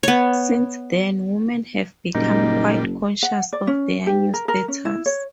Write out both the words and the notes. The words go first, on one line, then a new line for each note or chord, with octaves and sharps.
Since then women have become quite conscious of their new status.
B3 C#5
F#1 A#2 G3 D#4
F#5
D5
C#4
G4
A#4
A#4
C#4
E4
C#5